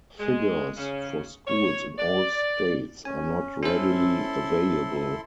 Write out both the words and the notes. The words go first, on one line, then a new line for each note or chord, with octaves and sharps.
Figures for schools in all states are not readily available.
G#3
C#3
C#5
D5
C#4 G#5
C#4 E4 A4 C5 C6